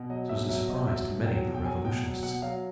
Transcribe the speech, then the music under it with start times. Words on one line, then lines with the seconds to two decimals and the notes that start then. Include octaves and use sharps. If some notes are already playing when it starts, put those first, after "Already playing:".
This was a surprise to many of the revolutionists.
Already playing: B2
0.10 F#3 D#5
0.29 B2 E5
0.49 F#3 E5
0.68 B2 D#5
0.87 F#3 E5
1.07 B2
1.26 F#3 G5
1.46 B2
1.54 G5
1.65 F#3 G#5
1.84 B2 G5
2.04 F#3
2.23 B2 F#5
2.42 F#3 F5